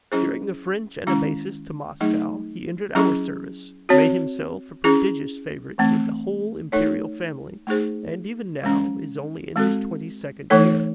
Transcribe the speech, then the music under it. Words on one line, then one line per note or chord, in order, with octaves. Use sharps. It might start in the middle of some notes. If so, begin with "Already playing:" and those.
During the French anabasis to Moscow he entered our service, made himself a prodigious favorite with the whole imperial family, and even now is only in his twenty-second year.
F#3 C#4 E4 G#4 C5
D#3 G#3 C#4 E4
F#3 A3 D#4 G#4
F#3 C#4 E4 G#4
C4 F#4 C#5
C#4 E4 G#4
E3 A3 C4
A3 D#4 A4 C#5
A3 D#4 G#4 C5
E3 G#3 C#4
G#3 C4 F#4 A4
E3 A3 D#4 A4 C#5